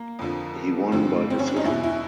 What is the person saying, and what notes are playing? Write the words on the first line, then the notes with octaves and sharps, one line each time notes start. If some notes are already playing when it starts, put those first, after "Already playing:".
He won by decision.
Already playing: A#3
F2 D3 F3
G2 D3 F3 C4
C4
C#4
D4
D#4
E2 B2 E4
E4